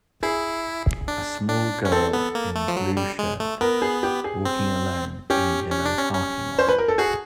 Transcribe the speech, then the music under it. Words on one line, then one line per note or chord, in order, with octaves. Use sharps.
A small girl in blue shirt walking alone in a yellow parking lot.
E4 G#4
D4
D4
C#4
C4 A4
B3
A#3
A3
F3
F#3
G3
G#3
A3
B3 A#4
G#4
G4
G#4
C4
C#4 G4
C#4
D4
C#4
C#4
C5
B4
A#4
A4
F#4 G#4